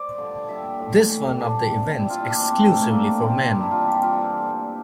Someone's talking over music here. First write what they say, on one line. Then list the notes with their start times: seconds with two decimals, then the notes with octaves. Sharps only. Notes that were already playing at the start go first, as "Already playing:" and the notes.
This is one of the events exclusively for men.
Already playing: C5 D5
0.18 G2 D3 F3
0.49 A#2 G3 E5
0.78 A2 F3
1.10 A2 E3 G3
1.40 A#2 G3 D4
1.69 C3 G3
2.00 A#2 G3 E4
2.10 F4
2.20 E4
2.30 C3 E3 G3 D4
2.41 D4
2.50 C4
2.60 A2 F3 A3
2.71 A#3
2.81 A3
2.91 G2 E3 G3 A#3
3.22 G2 E3 G3 C4
3.51 G2 E3 G3 D4
3.62 E4
3.71 F4
3.81 G2 E3 G3 G4
3.92 F4
4.03 F4
4.12 G2 E3 G3 A4
4.42 A#2 G3